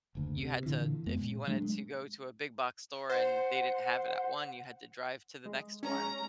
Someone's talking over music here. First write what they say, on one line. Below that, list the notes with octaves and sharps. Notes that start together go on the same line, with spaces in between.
you had to if you wanted to go to a big box store and they didn't have it at one, you had to drive to the next next one
F#1 D2
C3
A#2 D3 E3
F2 G#3 B3
A#2
F#3 G#3 A3 D4
C5 F#5
G#3
C#4 A#5